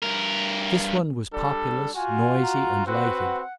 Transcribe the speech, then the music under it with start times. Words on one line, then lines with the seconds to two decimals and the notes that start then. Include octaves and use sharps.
This one was populous, noisy, and lighted.
0.02 G2 A#4
1.33 G3 D4 A4
1.95 F4 F#4 G#5
2.42 A#5
2.86 C4 F#4 B4 F#5